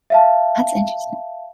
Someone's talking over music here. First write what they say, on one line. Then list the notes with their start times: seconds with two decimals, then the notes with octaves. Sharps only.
that's interesting.
0.10 E5 F5 A5